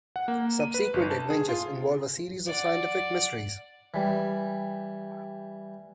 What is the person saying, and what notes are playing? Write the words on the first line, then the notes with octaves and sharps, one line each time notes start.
Subsequent adventures involve a series of scientific mysteries.
F#5
A#3
D#7
B4
G1
A5
G#4
F4
D5 F#5
E3 G3